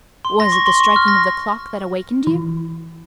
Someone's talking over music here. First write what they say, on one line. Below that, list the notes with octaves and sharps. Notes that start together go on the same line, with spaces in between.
"Was it the striking of the clock that awakened you?"
C6
A#6
C#6
C6
C#6
F6
A#6
E3